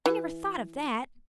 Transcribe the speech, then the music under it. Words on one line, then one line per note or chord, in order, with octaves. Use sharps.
I never thought of that.
E3